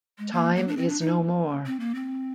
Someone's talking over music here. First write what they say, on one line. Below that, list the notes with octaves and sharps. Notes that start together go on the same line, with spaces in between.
Time is no more.
G#3
A#3
A#3
D4
C4
D4
D#4
C4
A#3
C4